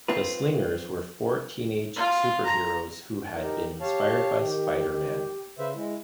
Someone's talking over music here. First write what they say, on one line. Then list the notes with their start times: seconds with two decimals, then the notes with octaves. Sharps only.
The Slingers were four teenage superheroes who had been inspired by Spider-Man.
0.08 C4 F4 B4
1.96 F4
2.45 A#5
3.35 D#4 G4 A#4
3.81 G4 C#5 F5 A5
4.41 D#3
5.59 C#3 B4 C5 E5
5.75 G#3 E4